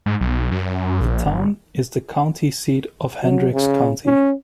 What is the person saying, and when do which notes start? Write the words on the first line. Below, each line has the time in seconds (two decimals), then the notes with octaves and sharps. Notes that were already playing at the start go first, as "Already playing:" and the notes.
The town is the county seat of Hendricks County.
0.06 G#2
0.21 B1
0.52 F#2
1.01 A#1
1.26 G1
3.23 F#3
3.53 C#3
4.05 C#4